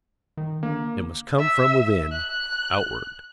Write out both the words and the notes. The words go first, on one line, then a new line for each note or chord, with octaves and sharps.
It must come from within, outward.
D#3
D2 A#3
E5
F#6